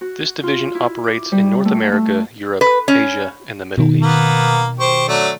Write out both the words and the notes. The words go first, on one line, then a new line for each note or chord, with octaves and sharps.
This division operates in North America, Europe, Asia and the Middle East.
F#4
F4
E4
D6
G3
A3
A3
B4
C#4
B2 D#3
A#3 B3
G4 C5 C#6
F#3 A3 D4